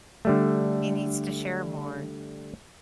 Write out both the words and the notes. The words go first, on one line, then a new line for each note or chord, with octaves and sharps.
he needs to share more."
D3 G3 A3